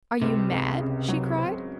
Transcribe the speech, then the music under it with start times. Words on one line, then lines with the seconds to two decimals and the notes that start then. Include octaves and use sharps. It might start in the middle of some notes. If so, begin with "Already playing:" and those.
"Are you mad?" she cried.
0.22 C#2 C3
0.50 C#2
0.79 C#3
1.08 F#3
1.38 C4